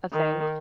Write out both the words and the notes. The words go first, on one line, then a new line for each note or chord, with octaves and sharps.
a thing.
D#3